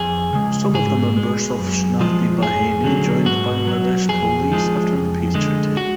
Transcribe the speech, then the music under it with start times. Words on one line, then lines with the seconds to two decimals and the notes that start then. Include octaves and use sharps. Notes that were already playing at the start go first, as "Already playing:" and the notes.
Some of the members of Shnati Bahini joined Bangladesh Police after the peace treaty.
Already playing: F2 G#4
0.33 C#3 G#3
0.74 G#2 G#4
1.17 G#3
1.59 F#2
2.01 F3 G#3
2.41 F2 G#4
2.84 D3 F#3
3.26 G#2 F#4
3.67 F#3
4.09 F2 G#4
4.52 F3 G#3
4.93 F2
5.34 D3 G#3
5.77 F#4